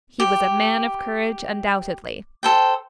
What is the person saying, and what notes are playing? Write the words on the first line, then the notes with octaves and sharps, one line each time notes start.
He was a man of courage undoubtedly.
G4
A4 C5 G5